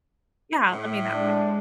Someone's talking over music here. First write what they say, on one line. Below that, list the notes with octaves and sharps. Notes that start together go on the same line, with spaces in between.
yeah, I mean that way.
A2
G#3 D4